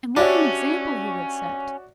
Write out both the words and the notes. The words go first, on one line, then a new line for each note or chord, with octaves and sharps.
And what an example he would set!
C#4 D4 F#4 G4 C#5 D5 E5